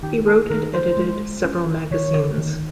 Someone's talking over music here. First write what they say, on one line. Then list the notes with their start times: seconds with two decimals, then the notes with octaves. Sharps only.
He wrote and edited several magazines.
0.03 D#3 G4
0.27 A4
0.50 D#3 A#4
0.74 C5
0.97 G#3
1.44 C#4
1.91 D#3 C#5
2.38 D#3